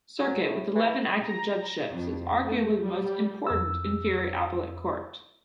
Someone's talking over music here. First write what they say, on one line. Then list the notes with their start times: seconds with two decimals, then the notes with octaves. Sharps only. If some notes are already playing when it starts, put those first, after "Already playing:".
Circuit, with eleven active judgeships, is arguably the most important inferior appellate court.
0.20 F#3
0.41 A2
0.75 E3
1.24 A#5
1.91 F2
2.46 A3
2.85 G3
3.47 F2 E6